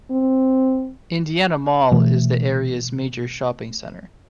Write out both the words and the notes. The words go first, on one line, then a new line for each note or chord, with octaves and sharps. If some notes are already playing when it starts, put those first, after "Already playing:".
Indiana Mall is the area's major shopping center.
C4
B2 E3 A3